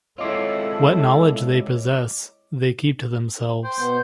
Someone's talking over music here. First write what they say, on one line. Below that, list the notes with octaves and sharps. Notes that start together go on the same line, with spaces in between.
What knowledge they possess they keep to themselves.
G#3 C4 E4 F4 A4 C#5 D#5 D6
C5 G5
B2 B3 C5